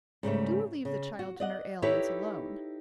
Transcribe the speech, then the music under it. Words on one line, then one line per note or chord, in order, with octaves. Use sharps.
"Do leave the child and her ailments alone!"
G#2 C#3 G3 A3
C#3
F#4
D5 D#5 F#5
D#4 E4 G4 A4 B4 C#5